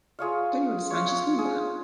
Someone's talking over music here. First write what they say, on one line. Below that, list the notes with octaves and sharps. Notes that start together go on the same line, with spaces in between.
Don't you understand, she's coming back!
F4 G#4 C#5 F5
F4 C#5
C#5
G#4